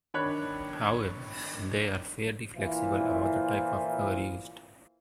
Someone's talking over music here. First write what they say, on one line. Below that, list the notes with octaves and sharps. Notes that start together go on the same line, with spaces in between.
However, they are fairly flexible about the type of cover used.
D#3 D4 C#5 B5 F#6
A#2 E3 E4 F4 C5